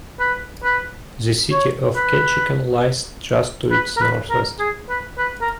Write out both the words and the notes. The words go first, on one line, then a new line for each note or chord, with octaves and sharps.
The city of Ketchikan lies just to its northwest.
B4
B4
C#5
B4
B4
A#4
B4
A#4
G#4
B4
B4
A#4